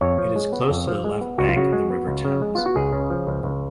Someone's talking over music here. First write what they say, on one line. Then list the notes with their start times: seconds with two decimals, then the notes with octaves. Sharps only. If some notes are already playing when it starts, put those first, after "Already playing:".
It is close to the left bank of the River Thames.
0.01 F2 C#5
0.18 F3
0.36 G#3
0.53 B3
0.70 F2
0.87 F3
1.04 G#3
1.21 B3
1.38 C#2 F#4
1.49 F4
1.56 C#3 F#4
1.73 G#3
1.90 B3
2.07 C#2
2.25 C#3
2.42 G#3
2.55 B3 F4
2.66 F#4
2.76 C#2 G#4
2.92 C#3
3.10 F3
3.27 C#2
3.44 C#2